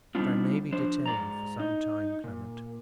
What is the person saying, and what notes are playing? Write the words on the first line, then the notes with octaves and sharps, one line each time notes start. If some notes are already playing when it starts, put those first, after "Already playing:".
But I may be detained for some time, Clement.
G3 B3 C4 D4 D#4 F4
F3 D4 C5
G#2 D5 A#5
D#4
A#2